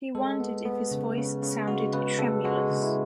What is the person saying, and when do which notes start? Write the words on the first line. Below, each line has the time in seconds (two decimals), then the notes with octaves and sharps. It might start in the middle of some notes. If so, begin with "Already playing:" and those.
He wondered if his voice sounded tremulous.
0.15 G#3 A4
0.40 B3
0.65 B3
0.91 C#3
1.17 C#3
1.43 C#3
1.67 G#3 F#4
1.93 C#3 B4
2.19 C#3 A4
2.45 G#3 F#4
2.71 C#3
2.82 E4